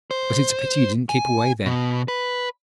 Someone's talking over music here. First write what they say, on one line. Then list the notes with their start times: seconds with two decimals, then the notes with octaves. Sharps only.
But it's a pity you didn't keep away, then.
0.11 C5
1.09 G#5
1.66 B2
2.08 B4